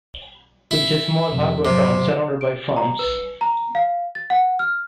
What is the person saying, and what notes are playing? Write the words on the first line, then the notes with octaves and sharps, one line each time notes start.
It is a small harbor town surrounded by farms.
E4
F2 A2 C3
G#2 C3 F#3
D7
A#5
B4
A#5
F5
A6
F#5
F6